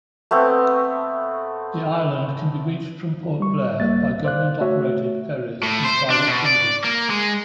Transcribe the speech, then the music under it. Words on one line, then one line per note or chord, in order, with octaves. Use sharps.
The island can be reached from Port Blair by government-operated ferries and private cruises.
A3 B3 C4
G3 C#6
C#2 G3 A#3 E5 A6
C5 D5 F5 F#6
A3 F#4 C#5 E5
A2
C5
D4
B2
D5
A#3
G#3